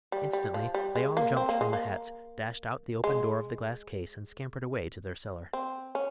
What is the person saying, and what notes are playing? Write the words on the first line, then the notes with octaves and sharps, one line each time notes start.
Instantly they all jumped from the hats, dashed out the open door of the glass case and scampered away to their cellar.
G3
G3
F3
G3
G#3
A#3
C4
A#3
G#3
A#3
G#3
C4
C#4